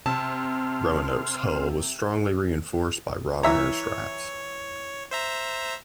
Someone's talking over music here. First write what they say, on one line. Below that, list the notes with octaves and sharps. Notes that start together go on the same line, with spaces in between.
"Roanoke"s hull was strongly reinforced by wrought iron straps.
C3 C4 A5 C6 F6
E3 C#5 E5 A#5
C5 E5 A#5